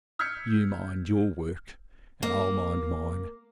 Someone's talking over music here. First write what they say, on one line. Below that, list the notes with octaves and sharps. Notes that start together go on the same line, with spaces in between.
'You mind your work and I'll mind mine.
E6 F6 G6 G#6 B6 C#7
A#3